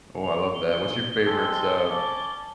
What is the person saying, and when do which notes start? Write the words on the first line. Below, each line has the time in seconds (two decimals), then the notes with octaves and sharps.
Oh, I love that. What's your favorite, uh,
0.24 F7
0.54 G7
1.27 G#3 C4 A4
1.89 C#4 D5 A5